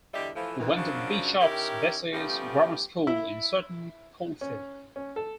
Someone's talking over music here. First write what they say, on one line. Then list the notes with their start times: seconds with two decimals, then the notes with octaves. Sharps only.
He went to Bishop Vesey's Grammar School in Sutton Coldfield.
0.14 E2 D3 G3 G4 D#5 E5
0.36 E3 F3 A3
0.59 D2 D#3 E3
0.77 F#2 C#3 F3 F#3 D4
1.41 D#3 C#4 E4 G4 A#4
2.13 F3 G3 A3 B3 C#4 G4
3.07 E4
4.41 C#4
4.96 C#4
5.16 A4